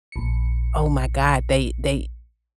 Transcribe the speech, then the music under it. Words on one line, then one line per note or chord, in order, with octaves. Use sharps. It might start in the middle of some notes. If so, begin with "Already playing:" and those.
oh my god, they they
A#1 C#7